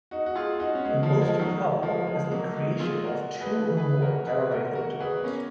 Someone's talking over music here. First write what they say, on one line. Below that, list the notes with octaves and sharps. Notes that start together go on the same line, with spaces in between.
The most probable is the creation of two or more gamma ray photons.
D#4 F#4
F#4
F4 G#4
D#4 F#4
C#4
G#3 B3
F3 G#3
F3 G#3
D#3 F#3
F3 G#3
F3 G#3
G#3
F#3 A#3
G#3 B3
F4 G#4
F#4 A#4
G#4 B4
G#4 B4
F#4 A#4
G#4 B4
F#4 A#4
F#4 A#4
G#4 B4
B3
A#3 C#4